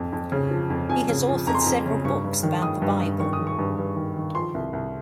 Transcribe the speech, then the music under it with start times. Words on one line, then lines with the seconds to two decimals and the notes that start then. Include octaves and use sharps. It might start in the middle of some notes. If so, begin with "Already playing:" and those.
He has authored several books about the Bible.
Already playing: F2 F3
0.13 F2
0.32 C#3
0.51 F3
0.70 F2
0.89 F2 G#5
1.09 C#3
1.28 F3
1.47 F2 A#5
1.55 C6
1.62 F2 A#5
1.86 C#3
2.05 G2 C#6
2.24 G2
2.43 D#3
2.62 D#3 D#6
2.82 G2
3.00 G2
3.20 D#3 C#6
3.33 D#6
3.39 D#3
3.47 C#6
3.59 G2
3.78 G2
3.96 D#3
4.16 D#3
4.35 F3 C6
4.54 C2
4.73 C2